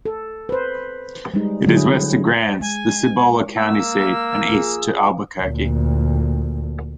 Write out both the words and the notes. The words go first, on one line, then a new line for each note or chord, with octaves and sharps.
It is west to Grants, the Cibola County seat, and east to Albuquerque.
A4
B4 C5
G3 G#3 D#4
D3 F#3 E4 G#4
G#3 G#5
A#3 E6
F4 G#4
D2 A#2